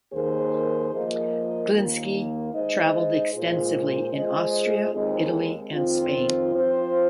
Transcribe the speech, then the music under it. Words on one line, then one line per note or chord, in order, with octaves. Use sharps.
Glinski traveled extensively in Austria, Italy, and Spain.
D#2 D#3 A#3 G#4 C5
F3 A#3 F4 A#4 D#5
D#2 D#3 A#3
G#3 D#4 C5 D#5
A#2 G#3 F4 G#4 C5
G#3 F4 G#4 C5 D#5
D#2 D#3 G#3 C4 D#4
F2 D#3 C4 F4
F3 C4 F4 C5